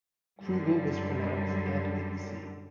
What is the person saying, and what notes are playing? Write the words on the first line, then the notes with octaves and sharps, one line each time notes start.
Krugel was pronounced dead at the scene.
F#2 D3 G3